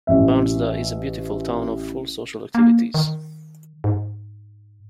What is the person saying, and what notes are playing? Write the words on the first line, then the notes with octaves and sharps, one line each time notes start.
Vansda is a beautiful town of full social activities.
A1 E5
A#3
D#3
G#2